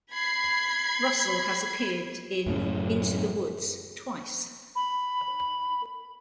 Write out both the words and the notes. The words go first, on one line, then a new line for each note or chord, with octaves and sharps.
Russell has appeared in "Into the Woods" twice.
B5 G#6 C7
F#2 A2 C#3
B5